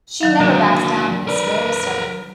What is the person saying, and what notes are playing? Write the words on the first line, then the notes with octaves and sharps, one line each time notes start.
She never backs down and is very stubborn.
D#3 F#3 F5
D3 F#3 A#3 D4
A#4 B4 D5